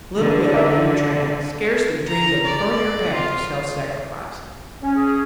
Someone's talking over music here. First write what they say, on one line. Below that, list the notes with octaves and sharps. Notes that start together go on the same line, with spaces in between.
Little Willie, in the tracts, scarcely dreamed of a thornier path of self-sacrifice.
D3
A#3 D#4 E5
A#5
D5
F4
C#4
G#4